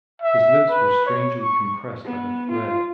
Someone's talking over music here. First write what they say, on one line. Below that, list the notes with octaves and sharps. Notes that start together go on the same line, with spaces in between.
His lips were strangely compressed like a thread.
E5
B4
C#5
C#6
B3
F4